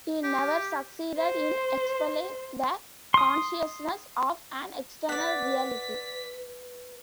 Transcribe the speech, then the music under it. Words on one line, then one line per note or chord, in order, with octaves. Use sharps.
He never succeeded in expelling the consciousness of an external reality.
G4
C5
C6 D#6
B4 D5 F#5 B6